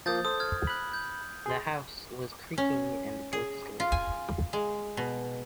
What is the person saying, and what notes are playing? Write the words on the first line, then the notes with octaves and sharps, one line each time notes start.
The house was creaking and ghostly.
F3 A#3 D#6 G6 A6
A4 C5 D#6
F6 G#6
B5 F#6
G6
G#4 C6
C#4
G#4
F4
G#5
G#3
B2